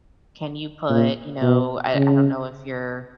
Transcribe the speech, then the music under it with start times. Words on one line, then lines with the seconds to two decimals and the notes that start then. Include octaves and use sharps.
"Can you put, you know" I I don't know if you're,
0.90 A#2
1.42 B2
1.95 C#3